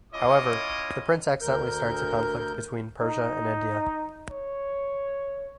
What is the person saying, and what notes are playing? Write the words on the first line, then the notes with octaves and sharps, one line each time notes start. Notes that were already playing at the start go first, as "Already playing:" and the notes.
However, the Prince accidentally starts a conflict between Persia and India.
C#4 E4 F4 C#5 D#5 D6
D2 A#4 G6
D#4
C#5